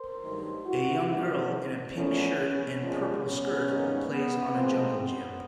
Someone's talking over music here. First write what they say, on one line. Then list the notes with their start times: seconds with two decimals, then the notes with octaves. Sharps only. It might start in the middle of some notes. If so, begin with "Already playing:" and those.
A young girl in a pink shirt and purple skirt plays on a jungle gym.
Already playing: A#4 C5
0.21 G2 D#3 F#3 A3
0.65 E4 F#4
1.07 G2 E3 G3 A#3 E4 F#4
1.93 A#2 F3 A3 B3 C#4
2.37 B3 C#4
2.81 A#2 F3 G#3
3.23 B3 C#4
3.67 G#2 D#3 G3 A#3
4.10 B3
4.54 A2 F3 G#3 A#3 C4
4.96 B3